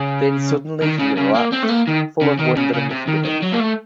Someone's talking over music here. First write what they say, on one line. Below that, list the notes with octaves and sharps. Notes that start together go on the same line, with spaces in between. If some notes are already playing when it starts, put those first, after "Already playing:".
Then suddenly he relaxed, full of wonder and misgiving.
Already playing: C#3
D#3
C#3
C#3
A#3
C4
A3
A#3
D#3
C#3
D#3
C#3
C#3
C3
D#3
D#3
F#3
A#3
A3